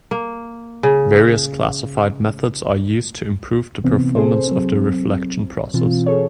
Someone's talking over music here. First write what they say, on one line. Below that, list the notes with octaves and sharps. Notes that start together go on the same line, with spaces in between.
Various classified methods are used to improve the performance of the reflection process.
A#3
C#3
C3 E3 B3 C4
C4 G#4 A4 C5
F#3 C4
B2 E3 C4 F4
G#4 A4 C#5